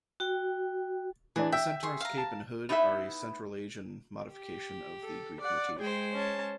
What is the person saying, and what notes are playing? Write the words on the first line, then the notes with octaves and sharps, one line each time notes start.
The centaur's cape and hood are a central Asian modification of the Greek motif.
F#4 G5
E3 D4 G#4
E5 G5
G#4 C6 C#6
F5 A#5
A5
B3 D#4 E4 A4 E5
G4
A4
D5 F#5
G#3 G#4 C5 G5
C#4 A5